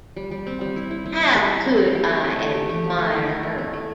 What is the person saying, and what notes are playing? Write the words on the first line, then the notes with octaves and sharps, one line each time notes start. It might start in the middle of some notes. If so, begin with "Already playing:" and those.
How could I admire her?
G3
G3
C4
G3
E4
E4
E4
E4
G3
E4
C4
G3
G4
A3
A3
A3
G4
A3
G4
A3
E4
A3
A3
A3
A3